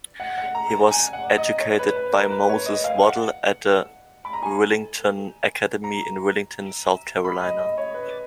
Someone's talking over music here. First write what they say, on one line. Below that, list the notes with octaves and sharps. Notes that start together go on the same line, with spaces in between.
He was educated by Moses Waddel at the Willington Academy in Willington, South Carolina.
F#5
F#5
A#5
G#5
F#5
D#5
C#5
B4
B4
A#4
B4
C#5
D#5
F5
F#5
B5
A#5
G#5
A#5
B5
D#5
D#5
C#5
B4